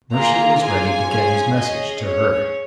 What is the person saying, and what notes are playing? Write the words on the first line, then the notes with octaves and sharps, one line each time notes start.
Mercer was ready to get his message to her.
A#3 F4 G#4 A#5
A#3 F4 G#4 G#5
C#4 F4 G#4
C#4 G#4 D#5
C#4 G#4 C#5